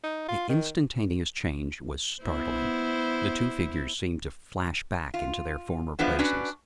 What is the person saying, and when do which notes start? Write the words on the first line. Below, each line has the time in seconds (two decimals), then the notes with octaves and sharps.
The instantaneous change was startling: the two figures seemed to flash back into their former places.
0.04 D#4
0.28 F4
0.49 D#3
2.23 B3 E4 C5
5.14 F4
5.99 E3 F3 G#3 B3 D4
6.19 C#4 D4 F#4 B4